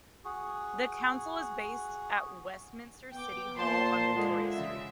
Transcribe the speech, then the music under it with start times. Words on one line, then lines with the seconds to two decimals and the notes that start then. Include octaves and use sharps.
The Council is based at Westminster City Hall on Victoria Street.
0.25 F#4 G#4
3.13 B3 G5 D6
3.56 A#2 C5 A5 C6
4.15 D3 G#3 F4
4.51 C#3 E5